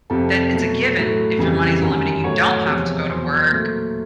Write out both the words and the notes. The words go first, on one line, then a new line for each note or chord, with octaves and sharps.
that it's a given, if your money is unlimited, you don't have to go to work,
F2 C3 F3 A4
B2 F#3 A3
A2 F#3 A3
F2 C#3 E3 G3
F#2 D#3 G3
A2 F#3 A3 C#5
E2 C3 F3 G#3
E2 B2 F#3 C5
A#2 F#3 A3